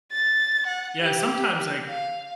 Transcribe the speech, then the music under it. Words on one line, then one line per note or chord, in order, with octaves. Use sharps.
Yeah, and sometimes, like,
A6
F#5
G4
F5